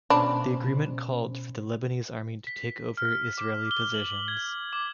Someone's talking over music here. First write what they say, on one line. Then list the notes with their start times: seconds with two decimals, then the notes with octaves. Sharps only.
The agreement called for the Lebanese Army to take over Israeli positions.
0.10 B2 C#4 D4 C5 B5
2.47 B6
2.97 F6
3.38 D6
3.71 G7
3.94 F#7
4.28 G#6
4.73 D6